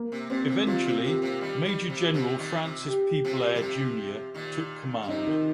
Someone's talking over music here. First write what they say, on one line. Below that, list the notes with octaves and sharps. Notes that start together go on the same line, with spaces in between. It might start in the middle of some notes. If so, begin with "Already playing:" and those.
Eventually Major General Francis P. Blair, Junior took command.
Already playing: A#3
C3
A#2 C4
C3
A#2 D#3 F4
C3
C3 G4
C3 F3
D#3 G3
D#3 G3
C3 F3
C3 F3
A#2 D#3
C3
G4
C3 F3
G3
C3 F3
A#2 D#3
G3
C3 F3 D#4
D#3